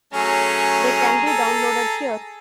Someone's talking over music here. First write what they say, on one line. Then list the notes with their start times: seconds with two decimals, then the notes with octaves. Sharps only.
They can be downloaded here.
0.13 F#3 A3 C#4 G#4 A#5
1.27 A4